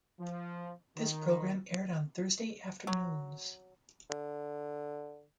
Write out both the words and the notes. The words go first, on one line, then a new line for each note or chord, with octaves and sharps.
This program aired on Thursday afternoons.
F3
D#3
F#3
D3